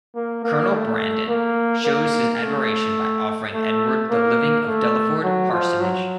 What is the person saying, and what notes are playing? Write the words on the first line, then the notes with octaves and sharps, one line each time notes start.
Colonel Brandon shows his admiration by offering Edward the living of Delaford parsonage.
A#3
A#3
A3
A#3
A#3
A3
A3
A#3
A3
F#3
F3
F#3